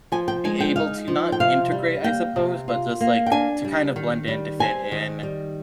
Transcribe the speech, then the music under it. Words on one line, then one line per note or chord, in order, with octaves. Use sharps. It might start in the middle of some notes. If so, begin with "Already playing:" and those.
Be able to not integrate, I suppose, but just like to kind of blend in, to fit in,
F3 G#5
G5
G#3 G#5
G5
D#4 F5
F3
G5
C3 F5
G3
A#3 G5
C3
F4
A#3
G5
D4 G#5
G3
D#3
G3
C4 G#5
D#3
G3